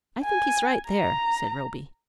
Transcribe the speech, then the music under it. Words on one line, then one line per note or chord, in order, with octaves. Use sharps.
"I think he's right there," said Roby.
G#5
A#5